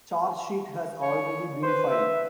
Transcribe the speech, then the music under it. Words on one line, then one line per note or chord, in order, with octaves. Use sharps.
Charge sheet has already been filed.
C#5
B4 C5
E5